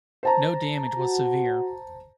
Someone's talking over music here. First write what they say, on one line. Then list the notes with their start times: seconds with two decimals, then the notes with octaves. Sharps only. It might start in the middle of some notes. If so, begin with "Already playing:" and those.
No damage was severe.
0.23 C5 A5 A#5
0.99 F#4